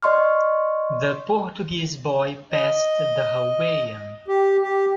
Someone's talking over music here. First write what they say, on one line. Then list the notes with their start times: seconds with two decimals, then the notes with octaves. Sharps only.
The Portuguese boy passed the Hawaiian.
0.03 D5 D#5 C6 C#6 F6
2.52 D#5
4.28 G4
4.63 G4